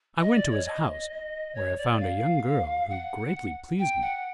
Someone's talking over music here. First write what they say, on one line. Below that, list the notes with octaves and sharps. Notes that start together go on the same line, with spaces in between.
I went to his house, where I found a young girl who greatly pleased me.
D#5
D5
C#5
D#5
C#5
D5
F5
F#5
G5
F#5